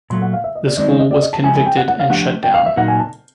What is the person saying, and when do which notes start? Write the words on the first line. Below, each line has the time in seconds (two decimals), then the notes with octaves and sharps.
The school was convicted and shut down.
0.10 A#2 F#3 A3 C6
0.22 F#5
0.33 F5
0.44 E5
0.55 D#5
0.66 D5
0.77 D#3 G#3 C4 D#4 D5
0.88 C#5
0.99 D#5
1.11 D5
1.22 D#5
1.33 A5
1.43 F3 G#3 C#4 E4 G#5
1.55 G#5
1.66 G5
1.77 F#5
1.88 F#5
2.00 F5
2.10 F3 A3 D4 G4 F#5
2.43 G5
2.54 F5
2.66 E5
2.76 A#2 F#3 A#3 D#4 F#4 F#5
2.88 G#5
3.00 A5